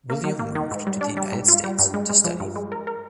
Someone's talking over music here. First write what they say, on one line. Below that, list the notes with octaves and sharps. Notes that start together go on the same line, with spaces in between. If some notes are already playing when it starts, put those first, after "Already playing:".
William moved to the United States to study.
A#3
D#3
A#3
D#3
G#2
G3
D4
G3
G#2
F4
G3
G2
G#3
G#3
F3
G2
G#3
A#4
A#4